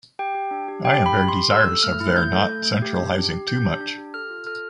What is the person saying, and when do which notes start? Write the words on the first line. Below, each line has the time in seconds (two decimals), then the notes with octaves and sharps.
I am very desirous of their not centralizing too much.
0.19 G4 G5
0.35 G4
0.51 D4
0.68 G4
0.85 G4 G5
1.01 D4
1.06 B5
1.17 G4
1.28 C6
1.34 G4
1.50 A4 E6
1.66 A4
1.83 A3 F6
2.00 E4
2.16 A3 G6
2.32 A4
2.49 A3
2.65 A3
2.82 G4
2.98 D4
3.15 G4
3.31 G4
3.48 G4 G6
3.64 D4
3.80 D4
3.98 G4
4.14 A4 F6
4.30 F4
4.47 A4 F6